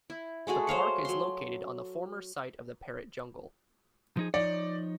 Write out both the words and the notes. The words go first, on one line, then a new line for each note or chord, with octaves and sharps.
The park is located on the former site of the Parrot Jungle.
E4
G#3 A3 F#4 G#4
C5 C#5 F5 F#5
F#3 C6
F3 D#4 G#4
F3 D#4 C#5 D5